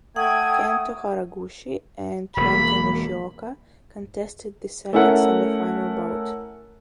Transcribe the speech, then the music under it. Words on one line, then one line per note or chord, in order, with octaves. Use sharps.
Kento Haraguchi and Renta Nishioka contested the second semifinal bout.
A3 F#5 G5 D#6 G#6
E1 A#3 B5
A3 C#4 E4 A4 A#4 F#5